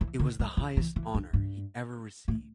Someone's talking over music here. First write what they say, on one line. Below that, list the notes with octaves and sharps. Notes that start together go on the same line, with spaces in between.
It was the highest honor he ever received.
E3
D3
G3
F3
E3
E3
G2
G2
A2